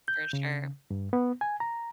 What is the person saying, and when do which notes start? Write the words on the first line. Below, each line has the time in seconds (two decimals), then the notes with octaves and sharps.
for sure.
0.08 G6
0.33 C#3
0.91 G2
1.13 B3
1.41 G#5
1.60 A#5